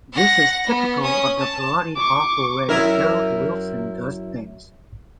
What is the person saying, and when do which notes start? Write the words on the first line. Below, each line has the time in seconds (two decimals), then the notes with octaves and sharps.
This is typical of the bloody awful way Harold Wilson does things!
0.13 F#5 A#6
0.67 B3
1.01 C#4 D#6
1.39 A5
1.96 C#6 D6
2.69 F#2 E4 A#4